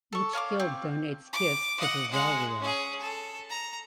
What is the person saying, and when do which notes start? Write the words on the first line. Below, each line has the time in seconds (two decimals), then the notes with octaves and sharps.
Each guild donates gifts to the zawiya.
0.13 A4 C#6
0.33 C#4 F5 A#5 D6
0.60 C4
1.33 D6
1.78 D#5 F#5
2.12 G#3 F#5
2.60 C#4 G#4
3.00 A4
3.50 A#5